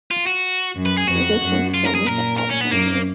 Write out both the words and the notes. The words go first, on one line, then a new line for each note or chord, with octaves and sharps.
It is the tenth film with the Olsen gang.
F4
F#4
F#2
B4
G#4
F2 F#4
F#2
F4
A#4
G#4
A#2 A#4
A#4
C#4
B3
F#2 A#3